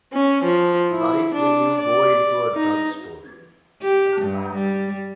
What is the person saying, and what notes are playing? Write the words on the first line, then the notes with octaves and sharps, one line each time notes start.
Like when you go into a drugstore.
C#4
F3
E4
D4
D5
D#4
G4
G2
G3